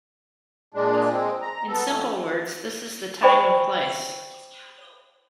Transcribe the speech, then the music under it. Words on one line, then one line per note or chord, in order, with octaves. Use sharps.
In simple words this is the time and place.
A#2 G#3 D4
G#3 C4
A#5
B3 A4
F2 A3
C5 D5 G5 G#5 B5 C#6